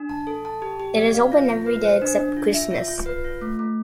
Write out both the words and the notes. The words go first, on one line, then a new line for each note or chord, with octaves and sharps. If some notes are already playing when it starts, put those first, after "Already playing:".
It is open every day except Christmas.
Already playing: D4
A5
A4
A5
G4
G4
D5
F5
F4
F4
B4
C5
D4
D4
F4
E5
F4
F4
B4
F4
A3
A3